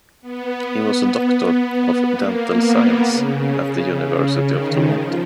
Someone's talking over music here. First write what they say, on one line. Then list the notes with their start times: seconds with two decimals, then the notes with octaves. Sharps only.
He was a doctor of dental science at the University of Toronto.
0.21 B3
0.69 B3
2.09 A#3
2.56 B3
3.04 C#3
3.98 C#3
4.45 D#3
4.92 F3